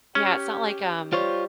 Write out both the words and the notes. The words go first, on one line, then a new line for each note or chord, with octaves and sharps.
Yeah, it's not like, um,
C#4 G4
G3 F4 C5 C#5